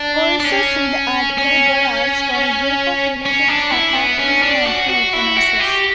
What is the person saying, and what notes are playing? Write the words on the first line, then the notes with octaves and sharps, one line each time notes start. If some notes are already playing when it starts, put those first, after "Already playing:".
Also see the article Gorals for a group of related Carpathian microethnoses.
Already playing: D4
D4
C#4
C#4
C#4
D4
E4
B3
C#4
D4
F#4
F#4
E4
F#4
G4